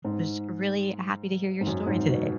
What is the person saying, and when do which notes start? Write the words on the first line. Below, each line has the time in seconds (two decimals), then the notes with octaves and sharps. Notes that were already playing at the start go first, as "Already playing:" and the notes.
was really happy to hear your story today.
0.05 G#2
1.61 G#2
1.67 F#2
1.87 G#2
2.07 B2